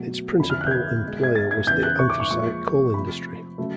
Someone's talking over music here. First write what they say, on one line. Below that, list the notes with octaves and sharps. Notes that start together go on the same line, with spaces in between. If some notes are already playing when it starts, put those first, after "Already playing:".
Its principal employer was the anthracite coal industry.
Already playing: B2 F#3 A3
F2 D3 F3 B5
F6
F#6
G6
G#6
B2
G#3
G#6
A6
G#6
E2 C#3 E3 G6
F#6
C#6
D6
C#6
A#2 F3 G#3 C#6
C3 F3 A3 B5
C#3 F#3 A3